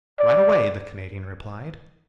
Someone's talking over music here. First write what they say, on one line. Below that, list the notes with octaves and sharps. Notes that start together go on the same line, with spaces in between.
"Right away!" the Canadian replied.
D5